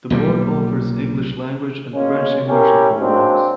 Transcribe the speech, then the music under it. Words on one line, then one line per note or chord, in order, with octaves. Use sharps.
The Board offers English language and French Immersion programs.
B1 A#2 F#3 G3
B2 G#3 A#3 C#4
C#4 E4 G4 A#4
F#3 G#3 A#3 C4 D4